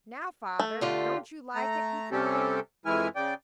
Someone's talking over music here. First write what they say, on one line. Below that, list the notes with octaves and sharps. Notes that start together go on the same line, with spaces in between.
"Now, father, don't you like it?" he cried.
A3
D3 F4 G4
A3 A#5
C3 G3 C4 C#4 G4 A4
F2 E3 G#3 E4 G#5 F6
C#3 D5 G5